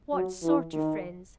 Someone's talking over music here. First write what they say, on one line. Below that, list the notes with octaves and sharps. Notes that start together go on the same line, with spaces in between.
What sort of friends?
F#3
E3
D#3